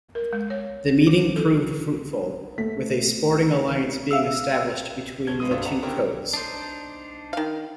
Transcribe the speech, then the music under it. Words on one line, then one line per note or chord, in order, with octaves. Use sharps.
The meeting proved fruitful, with a sporting alliance being established between the two codes.
A#4
G#3
C#5
E4
A4
A3 B6
E5 F5 E6
F2 C#4 A5 G#6 G7
G2 G#3 B3 D#6 D#7
C2 G2 D4 A4 C5 D#6
D4 E5 F#5 A5 A#5
C#4 D4 E4 G4 A#4 C5
D4 D#4 C5
D#3 F5